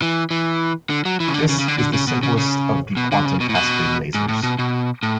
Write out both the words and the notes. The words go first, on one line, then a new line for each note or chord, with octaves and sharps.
This is the simplest of the quantum cascade lasers.
E3
E3
D3
F#3
E3
C#3
D3
C#3
C#3
D3
D3
C#3
B2
C#3
C#3
B2
D3
C#3
B2
A2
B2
G#2
A2
B2
B2
A2